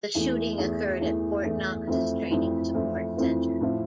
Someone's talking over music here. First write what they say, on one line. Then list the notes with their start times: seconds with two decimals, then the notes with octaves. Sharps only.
The shooting occurred at Fort Knox's Training Support Center.
0.15 E2 E3 A3
0.58 E2 E3 A3
1.01 E2 E3 A3
1.44 E2 E3 A3
1.87 F2 E3 A3 C4 E4
2.31 F2 E3 A3 C4 E4
2.74 F2 E3 A3 C4 E4
3.17 F2 E3 A3 C4 E4
3.61 A2 F3 C4 E4